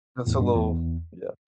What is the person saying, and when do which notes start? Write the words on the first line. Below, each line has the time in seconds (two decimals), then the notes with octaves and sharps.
That's a little yeah.
0.27 E2 A2
0.41 G2
0.56 E2